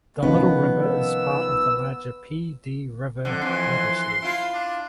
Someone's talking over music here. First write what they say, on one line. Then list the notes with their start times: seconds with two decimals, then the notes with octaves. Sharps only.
The Little River is part of the larger Pee Dee River watershed.
0.23 C2 D#3 F3 B3 C#4
0.82 E6
3.25 F2 D3
3.41 F2 C3 E3 C6
4.22 E4 F4
4.54 D4